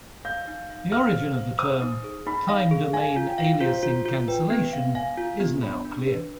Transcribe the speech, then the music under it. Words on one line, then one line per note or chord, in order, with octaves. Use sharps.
The origin of the term "time-domain aliasing cancellation" is now clear.
F5 G6
D#4
F5
F5 F6
C5
F5
C5 D#6
D#4
G#4
D#4 B5
F5
G#4
F5 G#5
F4
G5
F5
F4 C5
F4
F4
B4 G5
B3
F5
F5 G#5
F4
B3
D4 B5
D4
B4